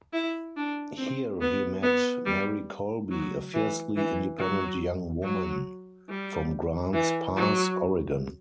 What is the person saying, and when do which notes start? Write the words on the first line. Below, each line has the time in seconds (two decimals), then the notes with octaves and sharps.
Here he met Mary Colby, a fiercely independent young woman from Grants Pass, Oregon.
0.13 E4
0.56 D4
0.98 C4
1.41 B3
1.83 B3
2.26 G3
3.11 F#3
3.54 E3
3.96 E3
4.38 F#3
5.23 F#3
6.09 G3
6.94 E3
7.36 F#3